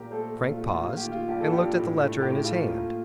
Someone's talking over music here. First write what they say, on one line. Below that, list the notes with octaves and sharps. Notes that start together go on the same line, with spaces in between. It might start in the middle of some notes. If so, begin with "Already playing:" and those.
Frank paused, and looked at the letter in his hand.
Already playing: A#2 G4 A#4
A3 A4 C5
A#2
F4
A3
F4
A#3
F4
G4
D#3
F4
G2 G4
A4
G2 G4
A2
A3
A2 G4
A3 F4
A#3